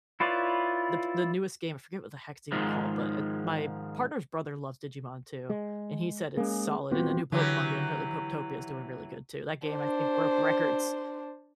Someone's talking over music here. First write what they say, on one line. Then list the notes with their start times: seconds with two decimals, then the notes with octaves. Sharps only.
the p the newest game I forget what the heck it's even called but, uh, my partner's brother loves Digimon too, and he said it's solid and the new Pokemon game apparently, Poketopia, is doing really good too. That game, I think, broke records
0.20 E4 F4 B4 C#5 D5
2.52 G#2 D#3 F3 G#3
5.50 G#3
6.37 G#3 A#3 C#4 G#4
6.91 D#1 B3 C4 F4 F#4
7.32 D3 E3 F#3 G4
9.68 D4 C5